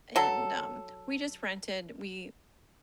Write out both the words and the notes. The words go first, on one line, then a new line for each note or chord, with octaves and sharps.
and, um, we just rented we
F#3 A4